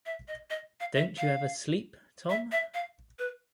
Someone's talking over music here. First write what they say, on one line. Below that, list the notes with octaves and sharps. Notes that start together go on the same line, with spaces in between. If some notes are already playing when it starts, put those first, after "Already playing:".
Don't you ever sleep, Tom?
E5
D#5
D#5
F5
E5
F5
E5
E5
F5
B4